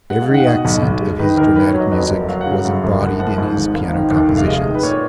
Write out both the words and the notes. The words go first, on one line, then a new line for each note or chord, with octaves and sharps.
Every accent of his dramatic music was embodied in his piano compositions.
G#3 F#5
F5
D#3
F#5
B2 D#5
B1
B1
G#3
D#3 B4
D#2 A#4
D#2 B4
C#5
F#3
D#5
F2 B4
F#1
F#3 F5
F#5
C#3
F5
F#2
F#1
F#1 F#5
F3 F#5
G#2
G#1
G#1 F5
D#3
D#2
F1
F5
G#3 D#5
D#3
B4
A#2 C#5